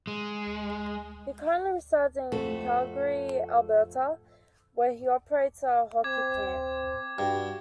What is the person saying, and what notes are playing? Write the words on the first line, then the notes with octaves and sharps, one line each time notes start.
He currently resides in Calgary, Alberta, where he operates a hockey camp.
G#3
F2 A3 F#4 A4
C4 D6 G#6
G2 F#4